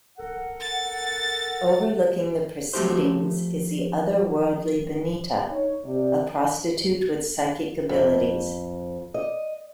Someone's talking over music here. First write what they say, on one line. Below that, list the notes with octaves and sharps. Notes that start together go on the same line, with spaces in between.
Overlooking the proceedings is the otherworldly Benita, a prostitute with psychic abilities.
A4 A#4 F#5
A6
F3 A3 F#4 G4 C5
D#4 C#5
C3 D5
F2
D#5